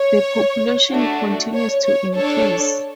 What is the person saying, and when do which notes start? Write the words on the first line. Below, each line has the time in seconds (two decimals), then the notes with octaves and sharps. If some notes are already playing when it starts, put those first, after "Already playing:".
The population continues to increase.
Already playing: C#5
0.90 A3 D4 F#4
1.53 C#5
1.84 C#5
2.15 D4 A4 C#5